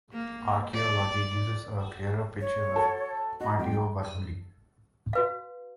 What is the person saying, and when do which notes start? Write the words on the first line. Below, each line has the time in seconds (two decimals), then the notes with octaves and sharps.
Archaeology gives us a clearer picture of martiobarbuli.
0.13 A#3
0.74 D5
2.41 C#5
2.76 F#4 A4 A5
3.41 F#4 D#5
3.59 F2 G3 G5
5.13 F#4 B4 F5